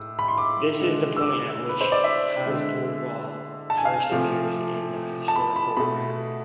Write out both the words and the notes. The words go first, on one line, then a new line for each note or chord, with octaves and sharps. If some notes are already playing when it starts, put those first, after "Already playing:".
This is the point at which Hasdrubal first appears in the historical record.
Already playing: A2 E6
B5
C6
D6
D3 G#3
E6
D6
B4
C5
D5
E5
D3 G#3
A5
G#5
F5
G#5
C3 F3 A3
A5
B5
B5
B2 A3 B5